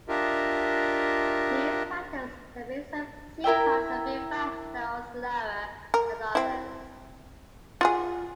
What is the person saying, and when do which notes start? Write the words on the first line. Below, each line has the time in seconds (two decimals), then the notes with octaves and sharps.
These factors can make some C-Cars a bit faster or slower than others.
0.09 D4 F4 G4 A#4 D#5 E5
3.44 E4 A#4 E5 G5
5.94 A#4
6.35 C4 E4
7.81 F4 F#4 G#4